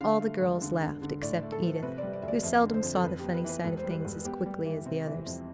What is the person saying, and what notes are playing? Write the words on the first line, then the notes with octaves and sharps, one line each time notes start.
All the girls laughed except Edith, who seldom saw the funny side of things as quickly as the others.
D3 F5
A3
E1
D3
D3
D3
A2 D5
A3
A4
F3
C3 B4
G3 D5
D5
D2 E5
D5
F2 E5
D3
C5
F2
A4
F2 B4
B3 G4
B4
E3
B4
E1 B4
C5
G3
B4
E1
B3 G4
G3
E3
C3
E3
F2